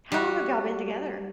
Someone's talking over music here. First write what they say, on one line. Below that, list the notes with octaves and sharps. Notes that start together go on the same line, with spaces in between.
How long have y'all been together?
G3 F#4